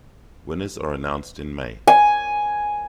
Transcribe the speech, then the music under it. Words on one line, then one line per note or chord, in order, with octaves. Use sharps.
Winners are announced in May.
G#5